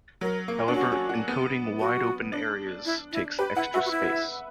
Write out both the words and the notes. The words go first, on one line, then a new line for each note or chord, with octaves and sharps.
However, encoding wide-open areas takes extra space.
F#3 A#4
A#3
D4
C#4 F#4
C#4
F#4
B3
F#4
D4
E4
E4
G4 B4
E4 F#5
F#4 E5
F#4
E4